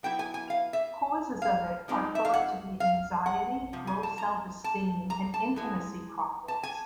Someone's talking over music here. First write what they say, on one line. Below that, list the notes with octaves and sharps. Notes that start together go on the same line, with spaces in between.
Causes of it are thought to be anxiety, low self-esteem and intimacy problems.
F#3 B3 E4 G5
G#5
G#5
F5
E5
F5
F3 G#3 C4 D#4
E5
F5
F#5
F5
F#5
C3 F3
G#5
A5
A#5
A5
A#5
A5
E3 G#3
A5
G#5